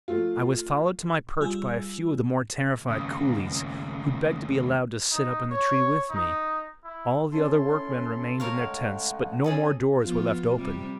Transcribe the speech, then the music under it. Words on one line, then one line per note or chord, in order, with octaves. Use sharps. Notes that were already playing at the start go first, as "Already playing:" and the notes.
I was followed to my perch by a few of the more terrified coolies, who begged to be allowed to sit up in the tree with me; all the other workmen remained in their tents, but no more doors were left open.
F3 A3 F4
G3 F4 G#4 E6
D#2 C#3
D#4
C#5
D#4
E4
C#4 E4 A4 C6
C4 A4 A#4 C#5 F5
C#3 G#3 A3 F#5
C#4 G#4 A4 D#5
F3 B3 F4
C3 G3